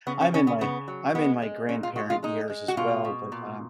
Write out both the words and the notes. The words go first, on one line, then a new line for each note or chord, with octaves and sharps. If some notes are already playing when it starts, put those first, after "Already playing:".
I'm in my I'm in my grandparent years as well, but, um
C#3 B3
C#4
C#3 C#4
B3
C#3 B3
F#3
G#3 B3
G#3
A#2 C#4
F4
G#3 F#4
F4
G#3 D#4
G#3
F#4
B2 F4
B2
A#2